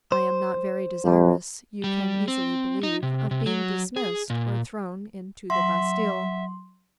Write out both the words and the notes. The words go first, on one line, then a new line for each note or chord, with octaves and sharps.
I am not very desirous, you can easily believe, of being dismissed or thrown in to the Bastile.
C5
F2
G3
C4
D#4
C3
C3
F#3
G#4
A#2
F#3 E5 C6